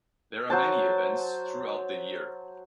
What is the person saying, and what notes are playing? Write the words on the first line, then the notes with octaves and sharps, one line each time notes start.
There are many events throughout the year.
F#3 C5 A5